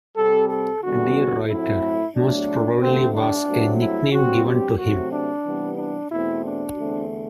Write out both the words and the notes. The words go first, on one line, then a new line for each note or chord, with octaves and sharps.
"De Ruyter" most probably was a nickname given to him.
C3 G3 C4 A4
A4
E2 D3 G3 B3 F#4
A2 F#3 A3 C4 E4
A2 F#3 A3 D4
G2 D3 A3 C4
D4
G2 F#3 A3 C4
E4
G2 F#3 C4 F#4
G4
C3 F#3 A3 C4 F#4
D4
C3 E3 G3 B3
D4
E2 B2 A3 C4 E4
D4
E2 D3 A3 C4